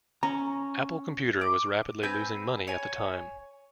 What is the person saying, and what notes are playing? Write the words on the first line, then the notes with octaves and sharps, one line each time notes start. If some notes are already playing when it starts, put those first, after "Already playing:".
Apple Computer was rapidly losing money at the time.
C#4 A#5
D6
C4 B4 G#5 G6
C#5 G#5